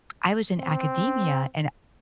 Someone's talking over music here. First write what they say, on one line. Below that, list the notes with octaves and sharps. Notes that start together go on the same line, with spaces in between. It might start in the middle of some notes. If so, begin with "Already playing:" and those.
I was in academia, and
C4